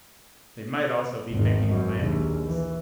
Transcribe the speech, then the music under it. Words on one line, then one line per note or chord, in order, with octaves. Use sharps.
They might also be picking a landing place.
G#1 E2 G#2 D#3
F#2
A#1 D#2
E3